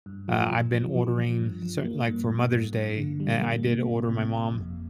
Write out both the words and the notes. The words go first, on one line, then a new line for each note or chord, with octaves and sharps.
ah, I've been ordering certain like, for Mother's Day, eh, I did order my mom
G2
F3
F3
F3
F3
F3
G2
F3
A#3
G2
G2
G2
G2
D3
G3
A#3
C3
G1
C3
G1
F2